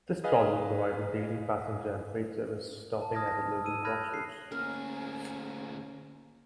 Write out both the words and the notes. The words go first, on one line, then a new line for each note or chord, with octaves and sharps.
This trolley provided daily passenger and freight service, stopping at a local crossroads.
G#4 B4 D#5 F5 G#5
A5
A5 D#6 F6 G#6 A#6
A#6
E6 D#7
B5 F6 F#6 G#6 A#6 D#7
F#6 C7
D2 A#3 C#4 G#4 A#4